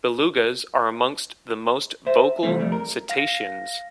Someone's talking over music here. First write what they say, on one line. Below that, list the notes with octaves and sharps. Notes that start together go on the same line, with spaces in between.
Belugas are amongst the most vocal cetaceans.
C5 E5
C2 E3 G3 A3 C4
F2 G3 A3
A#4
F5 A#6